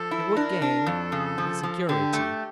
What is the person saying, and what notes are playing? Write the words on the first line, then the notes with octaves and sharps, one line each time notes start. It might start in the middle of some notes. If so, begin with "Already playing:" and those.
"It would gain in security."
Already playing: F3 A4
E4
D4 A#4
D4
F2 A4
C#3
F3
F3
D3 G4
A3